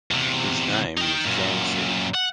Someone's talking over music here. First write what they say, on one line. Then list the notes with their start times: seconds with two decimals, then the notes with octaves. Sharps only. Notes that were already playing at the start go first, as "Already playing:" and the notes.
His name was Jamseed.
0.11 E2 C3
0.97 D#4 G5
1.24 F#2 A#2
2.15 F#5